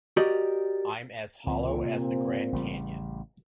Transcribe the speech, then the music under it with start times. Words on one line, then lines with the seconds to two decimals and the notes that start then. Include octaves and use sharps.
I'm as hollow as the Grand Canyon.
0.17 F#4 G4 A#4 D5 D#5
1.46 C#2 A#2 E3 C4
1.85 C3
2.52 A1 C#3 G3